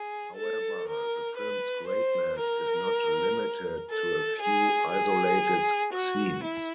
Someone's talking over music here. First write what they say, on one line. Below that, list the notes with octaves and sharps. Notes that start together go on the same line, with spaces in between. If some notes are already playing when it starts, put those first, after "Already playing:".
However, the film's greatness is not limited to a few isolated scenes.
Already playing: G#4
A4
A#4
B4
C5
A#4
A4
G#4
G#4
F#4
E4